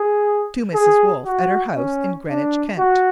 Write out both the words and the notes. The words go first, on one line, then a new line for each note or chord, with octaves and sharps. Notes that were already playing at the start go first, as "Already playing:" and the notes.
To Mrs. Wolfe, at her house in Greenwich, Kent.
Already playing: G#4
G#4
F#4
C#4
D4
F#4